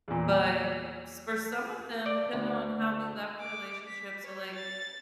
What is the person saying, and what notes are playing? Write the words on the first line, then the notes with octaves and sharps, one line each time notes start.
But s for some of them, depending on how we left the relationship so, like,
E2 A#2
D5
D2
D6
B6
C#5
A6